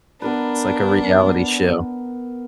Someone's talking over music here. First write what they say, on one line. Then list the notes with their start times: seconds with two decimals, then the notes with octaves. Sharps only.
It's like a reality show,
0.22 B3 D4 A#4 B4